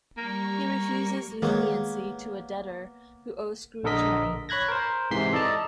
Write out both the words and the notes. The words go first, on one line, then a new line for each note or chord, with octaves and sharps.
He refuses leniency to a debtor who owes Scrooge money.
G3 A#3 C#6
D#3 G#3 A#3 B3 G#4 C#5
A#1 D3 A4 A#4 D#5 B6
C#5 B5 F#6 G#6 A#6
A#4 C5
G#2 C3 E3 C6 B6 C7
A4 D5 D#5 A5 A#5